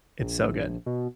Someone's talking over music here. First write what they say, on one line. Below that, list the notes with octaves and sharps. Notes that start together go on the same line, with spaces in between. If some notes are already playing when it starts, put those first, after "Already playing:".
It's so good.
A#1
B2